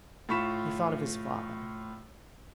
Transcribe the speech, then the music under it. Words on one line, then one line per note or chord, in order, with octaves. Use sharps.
He thought of his father.
A2 F4 B5 C#6 B6 E7